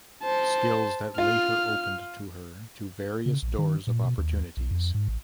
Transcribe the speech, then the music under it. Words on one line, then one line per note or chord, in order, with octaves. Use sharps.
Skills that later opened to her to various doors of opportunities.
C5 A5
F4 F6
C#3
A#1
D#3
A#2
B2
D#2
B1
F2
G#2
A1